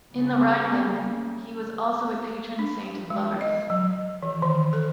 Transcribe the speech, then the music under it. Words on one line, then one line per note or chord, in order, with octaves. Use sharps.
In the Rhineland, he was also a patron saint of lovers.
C#3 G3 A3 A#3
D4
G#3
D#5
F#3
E3
D#3
A4